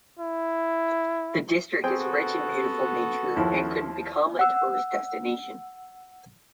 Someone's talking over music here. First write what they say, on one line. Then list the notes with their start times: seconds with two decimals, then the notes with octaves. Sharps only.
The district is rich in beautiful nature and could become a tourist destination.
0.19 E4
1.84 B3 C4 F#4 G#4 A4 G5
3.36 D#2 F3 E4
4.39 F#5 E6